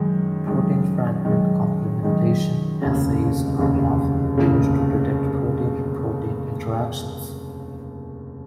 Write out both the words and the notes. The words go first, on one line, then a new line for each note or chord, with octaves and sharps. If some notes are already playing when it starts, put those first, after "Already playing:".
Protein fragment complementation assays are often used to detect protein-protein interactions.
Already playing: F#2 D#3 G#3
F#2 D#3 G#3
F#2 D#3 G#3
F#2 D#3 G#3
F1 D#2 C#3
F1 D#2 C#3
F1 D#2 C#3